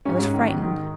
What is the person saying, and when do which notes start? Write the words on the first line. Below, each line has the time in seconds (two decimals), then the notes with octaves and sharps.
I was frightened.
0.05 G#2 C#4
0.19 G#2
0.33 D#3
0.48 D#3
0.62 D#3